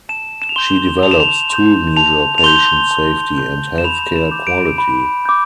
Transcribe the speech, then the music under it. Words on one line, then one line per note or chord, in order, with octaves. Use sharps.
She develops tool measure patient safety and healthcare quality.
A5 E7
E7
F7
C6 G6 G7
A5 F7
E7
F7
C6 G6
A5 F7
F7
C6 G6 G7
A5
C6 G6
E7
B5 F7
E7
D6 G6
D7
B5
D6 G6